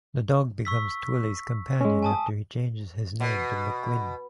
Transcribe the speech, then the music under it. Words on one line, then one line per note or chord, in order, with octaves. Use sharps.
The dog becomes Twilly's companion, after he changes his name to McGuinn.
C#6 E6 B6
G#3 C#4
G#5 A5 D#6
B2